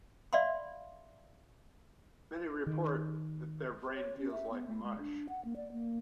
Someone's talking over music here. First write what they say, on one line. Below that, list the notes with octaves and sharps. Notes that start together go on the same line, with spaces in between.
Many report that their brain feels like "mush".
D5 E5 F5 B5 C6
D#3
C#5
C#4
E5
B3
A3
G#3
D4
F#5
A#3
D5
A#3